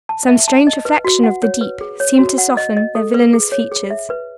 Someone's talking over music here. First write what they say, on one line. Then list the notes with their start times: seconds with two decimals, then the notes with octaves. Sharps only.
Some strange reflection of the deep seemed to soften their villainous features.
0.09 A5
0.28 E5
0.48 A5
0.67 D#5
0.85 B4
1.05 F#4
1.23 F#5
1.43 C#5
1.61 B4
1.81 G#4
2.00 C#5
2.19 F#4
2.38 F#5
2.57 D#5
2.77 D#5
2.95 A4
3.14 B4
3.33 G#4
3.52 C#5
3.72 G#4
3.91 E5
4.10 B4